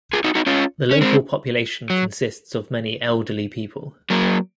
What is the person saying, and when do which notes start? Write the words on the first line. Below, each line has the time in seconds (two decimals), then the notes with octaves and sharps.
The local population consists of many elderly people.
0.13 F4 G#4
0.24 D#4 F#4
0.35 D#4 F#4
0.46 C#4 F4
0.91 C#4
1.01 G#3 C4
1.90 F#3
4.10 F#3 A#3